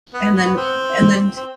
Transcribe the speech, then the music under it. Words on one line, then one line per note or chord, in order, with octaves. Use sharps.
And then and then
B3
B3
C4
C4